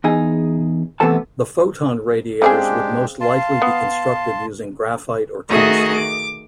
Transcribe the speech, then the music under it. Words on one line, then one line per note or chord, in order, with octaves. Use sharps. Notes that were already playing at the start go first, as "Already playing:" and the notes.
The photon radiators would most likely be constructed using graphite or tungsten.
E2 D#4 G#4
C3 E3 A3 B3 A4 A5
C#3 G#3 C4 D4 G4 G#4 G5
F5 A5 C6
B3
D#3 A3 F#4 G#4 D#5 E5
D6